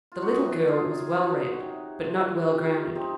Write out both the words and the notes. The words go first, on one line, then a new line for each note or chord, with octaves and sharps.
The little girl was well-read, but not well-grounded.
F4
F#2 D#4 F#4
F#2 F4 G#4
F#3 D#4 F#4
C3
F3
C3
C4 D#4